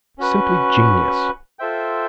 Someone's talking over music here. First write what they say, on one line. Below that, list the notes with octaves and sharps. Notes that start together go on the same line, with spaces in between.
Simply genius!
C#4 F#4 B4
F4 A4 C5 E5 G5